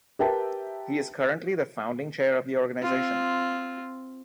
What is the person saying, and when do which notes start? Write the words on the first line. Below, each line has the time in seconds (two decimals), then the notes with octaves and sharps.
He is currently the founding chair of the organization.
0.19 G4 A#4 B4 E5 G5 A5
2.82 C4 F4